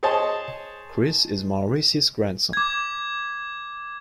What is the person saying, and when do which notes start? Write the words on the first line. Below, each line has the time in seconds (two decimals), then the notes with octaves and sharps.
Chris is Maurice's grandson.
0.03 G#4 C5 C#5 D#5 A5
2.53 D6 G#6